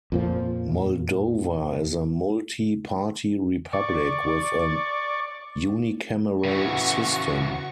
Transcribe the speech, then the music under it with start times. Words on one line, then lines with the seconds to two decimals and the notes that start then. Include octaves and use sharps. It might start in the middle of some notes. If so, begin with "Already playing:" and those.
Moldova is a multi-party republic with a unicameral system.
0.12 F2 A#2 F3
3.73 D5 C#6
6.44 C#3 E3 F#4 C#6